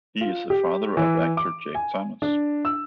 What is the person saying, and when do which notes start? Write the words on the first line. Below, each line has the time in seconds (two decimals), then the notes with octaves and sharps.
He is the father of actor Jake Thomas.
0.21 F4
0.50 G4
0.97 E3
1.37 D6
1.75 G#5
2.22 D4
2.65 E6